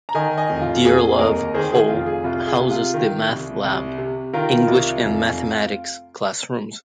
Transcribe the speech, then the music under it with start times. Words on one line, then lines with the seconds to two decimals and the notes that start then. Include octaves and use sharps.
Dearlove Hall houses the math lab, English and mathematics classrooms.
0.09 A#5
0.15 D#3 D#5 G#5
0.37 D#5 G#5
0.50 F1
0.61 F4
0.84 F1 G#4
1.19 D#2 A#4 D#5
1.54 D#3 G#4 C5
1.72 G#4
1.89 F1 F4
2.06 G#4
2.24 C2 F4
2.47 G#4
2.59 C3
2.71 F4
2.94 D#3
3.28 C2
3.64 C2
3.98 C3
4.33 D#3 F4 A#4
4.67 C2
5.03 F1